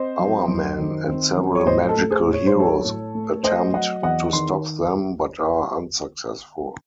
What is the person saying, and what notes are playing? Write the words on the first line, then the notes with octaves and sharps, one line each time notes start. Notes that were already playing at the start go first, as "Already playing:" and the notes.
Hourman and several magical heroes attempt to stop them, but are unsuccessful.
Already playing: C4 C5 D#5
F#3
F#2
D#3
C4
F#3
C#5
A2 C5 D#5
A4
A3
G#4 C5
A2
C#5
C5
F#3 A4 C#5
A2
A3
A3 C5 D#5
F#3 D#5 F#5
E2 D#5 F#5
D#3 C6